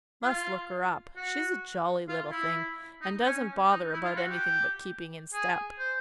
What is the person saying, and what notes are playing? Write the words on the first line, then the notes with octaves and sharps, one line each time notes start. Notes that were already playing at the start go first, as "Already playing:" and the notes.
Must look her up; she's a jolly little thing, and doesn't bother about anything but keeping in step.'
F4
F#4
F4
E4
D#4
C#4
D#4
E4
F4
F#4
G4
G#4
C5